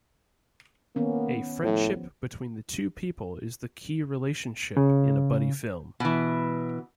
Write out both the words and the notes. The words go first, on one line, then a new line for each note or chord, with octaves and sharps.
A friendship between the two people is the key relationship in a buddy film.
D#3 A#3 B3 C#4
A2 F3
C#3
B2 E3